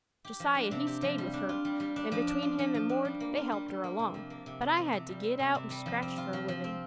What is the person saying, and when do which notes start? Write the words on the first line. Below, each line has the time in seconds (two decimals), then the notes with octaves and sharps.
Josiah he stayed with her, an' between him an' 'Mord,' they helped her along, but I had to git out and scratch for a livin'.
0.25 G4
0.40 F3
0.55 D4
0.71 C3
0.87 G4
1.02 F3
1.18 G3
1.33 D4
1.49 F4
1.65 G3
1.80 G3
1.96 D4
2.12 F3
2.27 D4
2.42 F4
2.59 F3
2.74 F3
2.89 D4
3.05 G3
3.20 A#3
3.37 F4
3.52 G3
3.68 G3
3.84 A#3
3.99 C3
4.14 F3
4.30 A#3
4.46 C3
4.62 C3
4.77 F3
4.93 C3
5.09 G3
5.24 C4
5.39 C3
5.55 C3
5.70 G3
5.86 F3
6.02 C4
6.18 F4
6.33 F3
6.48 F3
6.64 C4